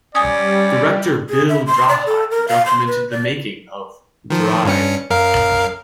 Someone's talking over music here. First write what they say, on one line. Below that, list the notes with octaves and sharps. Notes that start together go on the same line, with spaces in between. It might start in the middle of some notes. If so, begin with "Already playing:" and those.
Director Bill Draheim documented the making of "Drive".
G3 C#4 D5 G#5 D#6
G#4
E5
C6
D5
A4
A#4
F5
C6
B4
D5
D#3 F3
G2 C#4 C#7
F#2 A#4 F5